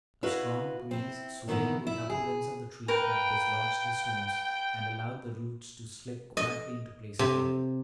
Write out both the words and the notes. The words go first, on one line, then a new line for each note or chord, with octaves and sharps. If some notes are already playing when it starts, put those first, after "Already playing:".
A strong breeze, swaying the upper limbs of the tree, had dislodged the stones and allowed the roots to slip quietly into place again.
E4 F#4 B4 D#5 F5
C4 E4
B2 D#3 E3 B3 E4
E4
G#4
A#4 B4 G5
D#5
C3